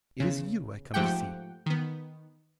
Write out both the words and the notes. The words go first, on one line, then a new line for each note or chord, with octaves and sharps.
It is you I come to see.'
E2 C#3
G#2 F3 A3 G4 F#5 G5
D#3 B3